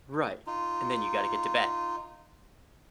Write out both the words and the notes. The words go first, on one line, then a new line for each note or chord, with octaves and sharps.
Right, and then you gotta get to bed.
D#4 F4